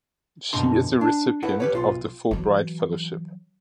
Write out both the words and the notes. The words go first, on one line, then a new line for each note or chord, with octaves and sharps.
She is a recipient of the Fulbright Fellowship.
F#2 B2 D3 D#4 A#5 C6
D4
E4 A4 B4 F#5
G4 B4 C#5
B1 F4 C6
E3 F#3